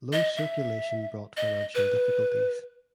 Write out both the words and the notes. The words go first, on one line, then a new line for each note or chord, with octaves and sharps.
Low circulation brought financial difficulties.
D#5
E5
D#5
B4